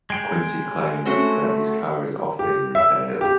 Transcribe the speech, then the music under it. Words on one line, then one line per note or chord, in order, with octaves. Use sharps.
Quincy claims that his car is off being repaired.
G#3 G5
A3 C4 C#4 F#4
G4
E5
G4